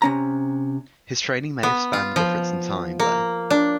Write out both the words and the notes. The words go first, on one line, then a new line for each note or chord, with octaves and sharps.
His training may have spanned the difference in time, though.
C3 C#4 A#5
B3
F4
F3
A#3
D4